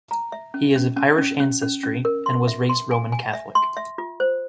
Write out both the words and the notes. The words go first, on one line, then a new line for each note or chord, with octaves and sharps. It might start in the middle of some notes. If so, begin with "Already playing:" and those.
He is of Irish ancestry and was raised Roman Catholic.
A#5
E5
C#4
C#4
C#4
C#4
C#4
C#4
C#4
A#4
C6
E5
C6
G#5
G#5
E5
C6
E5
F4
C5